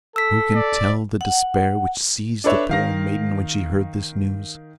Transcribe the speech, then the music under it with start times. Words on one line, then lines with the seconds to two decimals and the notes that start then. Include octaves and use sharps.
Who can tell the despair which seized the poor maiden when she heard this news!
0.16 A4 E6 B6
0.55 D5
1.21 F#5
2.44 D4 A4 B4 C#5 E5
2.69 D#3 F5 A#6